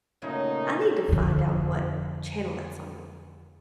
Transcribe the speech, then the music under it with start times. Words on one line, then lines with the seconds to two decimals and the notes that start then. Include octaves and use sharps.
I need to find out what channel that's on.
0.22 A#2 C#3 F#3 G#3 A3 D#4
1.08 F2 D3